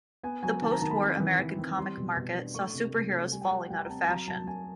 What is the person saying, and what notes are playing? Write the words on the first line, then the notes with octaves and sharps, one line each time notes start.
The post-war American comic market saw superheroes falling out of fashion.
B3 G#5
F#3 G#5
D#3 A5
A#5
D#3 A5
B5
C4
E3
E3
C4
G3 C6
B2
B2
D4
A3 C#6
C3
C3
A3
G3 G#5
G5
G3 F#5
G3 G5
A#5
C4 A5
F#3 A#5
F#3 A5
F#3 G#5